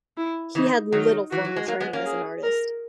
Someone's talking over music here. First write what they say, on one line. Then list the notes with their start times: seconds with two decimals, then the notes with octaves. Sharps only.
He had little formal training as an artist.
0.17 E4
0.55 C#3 E3 D#4
0.92 D#3 F#3 D#4
1.31 E3 F#4
1.45 F#3
1.56 G#3
1.68 F#3 A#3
1.80 G#3 B3
1.93 A#3 C#4
2.05 G#4
2.43 A#4